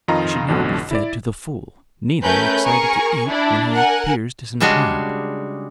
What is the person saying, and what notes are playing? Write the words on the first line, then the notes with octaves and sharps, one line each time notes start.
He should never be fed to the full; neither excited to eat when he appears disinclined.
F2 D#3 F4 D#5 A#5
A1 F2 B2 D3
E4 D5
A3 C#4 A#4 B4 G6
G#4 A#4 G#5 C#6
D4 E4
A#4 F#5 G#5
C#3 G3 G#3 D4 F#4